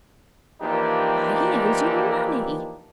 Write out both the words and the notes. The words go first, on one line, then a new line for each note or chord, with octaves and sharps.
Why, he owes you money!'
E3 F3 A#3 D4 D#4 G4